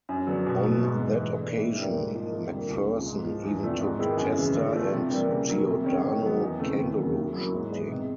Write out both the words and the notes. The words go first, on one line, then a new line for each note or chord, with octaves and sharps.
On that occasion, McPherson even took Testa and Giordano kangaroo shooting.
F#2
D3 F#3 B3 D4
B2
F#3 B3
G#2
E3 G#3
E3
A3 D4
A2
E3 G3 A#3
G#2
F3 A#3 D#4
F2
D3 G3 A#3
C#2
C#3 F3
G#2
F3 G#3
E2
C3 F3 A3 D4
G#2
D#3 G#3 B3 E4
F#2
C#3 E3 G#3
D3
F3 A3
C3
E3 G3 A#3
C#3
F#3 A#3
C3
D#3 G#3 C#4
D#3
F#3 B3
E2
C#3 E3 A3 C4
D#2
C#3 F#3 A#3
A2
F#3 A#3 C#4 E4
G#2
E3 G#3 B3 D#4
C3